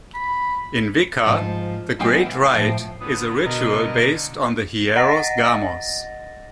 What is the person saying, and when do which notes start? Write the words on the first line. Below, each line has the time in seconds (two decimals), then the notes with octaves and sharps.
In Wicca, the Great Rite is a ritual based on the Hieros Gamos.
0.14 B5
1.25 G#2 F3
1.99 F#3 G#3 B3 F5 G5 G#5
2.26 E3
2.53 A2 F3 G5
3.00 D3 B3 D#6
3.45 B2 A#4 D#5
3.96 D3
4.96 D#5 F#5 A6 A#6